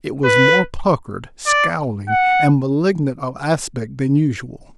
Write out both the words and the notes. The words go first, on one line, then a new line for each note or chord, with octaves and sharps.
It was more puckered, scowling and malignant of aspect than usual.
B4
D5
F#5